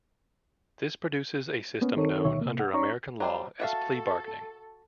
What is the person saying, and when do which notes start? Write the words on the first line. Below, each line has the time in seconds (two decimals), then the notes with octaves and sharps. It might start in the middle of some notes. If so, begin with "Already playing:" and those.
This produces a system known under American law as plea bargaining.
1.81 A#3 B3 C#4
1.96 D#3 C4 D#4 A4 A#4 C#5
2.25 D2 B2 D#3 C#5 E5
2.41 C3 A#3
2.59 F#5
2.73 C#4 D#4 C#5 D5 A#5 C#6
3.20 F#3 G3 C5
3.60 F#4 A4 E5 F5